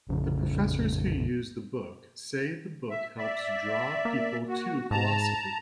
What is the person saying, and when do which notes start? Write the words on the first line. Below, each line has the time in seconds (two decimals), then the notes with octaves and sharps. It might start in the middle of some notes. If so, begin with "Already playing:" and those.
The professors who use the book say the book helps draw people to philosophy.
0.09 A#1 F2 C#3
2.90 E5
3.17 D5 E5
4.05 A#3
4.48 F#4
4.91 G#2 A5 A#5